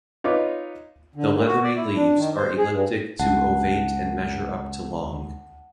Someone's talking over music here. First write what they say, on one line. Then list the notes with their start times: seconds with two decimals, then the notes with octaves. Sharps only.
The leathery leaves are elliptic to ovate and measure up to long.
0.24 D#4 F4 B4 C#5 D6
1.15 D3
1.35 A#2
1.47 F#4
1.64 D5
1.76 E4
1.96 D4
2.17 D#3
2.36 C5
2.58 G#4
2.72 G2
3.19 C#2 F#5 A5